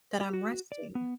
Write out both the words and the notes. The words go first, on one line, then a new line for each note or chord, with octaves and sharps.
that I'm resting.
G4
F#4
D5
B3